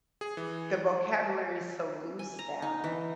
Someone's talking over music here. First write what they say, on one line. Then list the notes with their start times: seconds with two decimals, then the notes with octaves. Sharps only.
the vocabulary is so loose now.
0.21 G#4
0.37 E3
2.19 G#5
2.39 A#5
2.62 D#4
2.84 E3